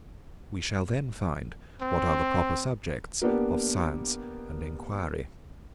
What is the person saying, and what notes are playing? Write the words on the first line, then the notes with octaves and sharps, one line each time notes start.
We shall then find what are the proper subjects of science and enquiry.
C4
A#3 B3 D4 G4